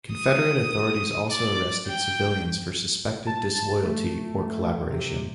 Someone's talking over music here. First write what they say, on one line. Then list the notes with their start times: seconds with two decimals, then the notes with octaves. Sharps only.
Confederate authorities also arrested civilians for suspected disloyalty or collaboration.
0.12 D#6
1.29 D5
1.87 G5
3.27 A5
3.84 A3
4.89 C3